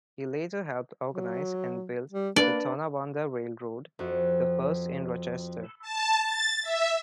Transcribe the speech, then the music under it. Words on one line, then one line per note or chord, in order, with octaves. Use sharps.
He later helped organize and build the Tonawanda Railroad, the first in Rochester.
F#3
G3
A#3 D4 B4 D5
F2 F#4
A5
A6
E5